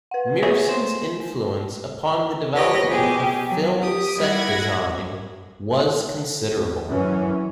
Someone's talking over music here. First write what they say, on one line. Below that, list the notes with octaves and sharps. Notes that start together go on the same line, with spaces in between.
Meerson's influence upon the development of film set design was considerable.
B4 F#5
G#4 C#5 E5 G#5 A#6
C5
G4 B4 C#5 D#5 A#6
B2 G4 G#4
F#3
G4 D#6
G3 E4 F#5 G#6 A#6
F#2 E3 C#4